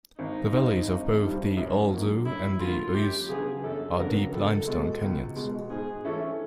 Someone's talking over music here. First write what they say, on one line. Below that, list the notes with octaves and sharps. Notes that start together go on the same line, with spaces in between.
The valleys of both the Alzou and the Ouysse are deep limestone canyons.
G#1 D#4
G2 D#3 G3 C4
G#1
G2 D#3 G3 C4
F#2
D3 F#3 A#3
F#2 E4
D3 F#3 A#3 F4
F#2 G4
C#3 F#3 B3 D4 G#4
F#2 A4
C#3 F#3 B3 D4 A#4
C#2 A4
B2 G#3
C#2
B2 G#3
G#2 G#4
E3 A3 C#4 E4 A4